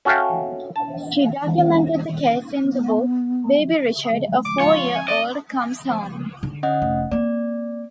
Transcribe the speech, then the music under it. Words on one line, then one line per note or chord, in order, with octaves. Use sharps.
She documented the case in the book "Baby Richard - A Four-Year-Old Comes Home".
C#4 F#4 A4 E5 F5 G5
A5
B3
D6
F4 C#5
G#5
D5 D#5
D3 D#4
C#4 D#5 F#5
F1
A#3 C4 D5